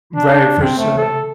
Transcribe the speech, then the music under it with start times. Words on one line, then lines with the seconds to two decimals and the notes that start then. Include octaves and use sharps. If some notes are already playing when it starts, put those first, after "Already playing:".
Right, for sure.
0.16 D4
0.34 D4
0.61 C4
0.79 A3
0.98 A4